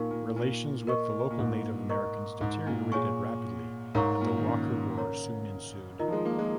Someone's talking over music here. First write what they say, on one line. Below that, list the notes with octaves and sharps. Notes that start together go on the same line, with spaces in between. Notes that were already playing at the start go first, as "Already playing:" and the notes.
Relations with the local Native Americans deteriorated rapidly and the Walker War soon ensued.
Already playing: A#2 D#4 A#4 F5 C#6
A#2
A#2
A#4 D#5 C#6
A#2
G#2
A#4 D#5 A#5 C#6
G#2
A#2
A#2 G#4 C#5 G#5 C#6
G#2 A#4 C#5 F5 A#5 C#6
A#2
D#3
C#3
A#4 C#5 A#5
D#3 F4 A#4 D#5 A#5
F3
G#3
A#3
G#3